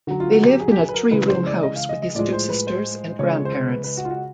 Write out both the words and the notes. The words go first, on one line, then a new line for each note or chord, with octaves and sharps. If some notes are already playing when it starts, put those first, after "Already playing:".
They lived in a three-room house with his two sisters and grandparents.
D3 F#3 F#4
F4
F#4
G4
G#4
G4
G#4
B4
A#4
C#3 E3 G#3 B4
C5
D5
D#5
F5
D#5
D#5
A2 F3 G#3 D5
C5
B4
C5
C#3 F3 G#3 C#5
C5
B4
B4
F#4
F4
F#4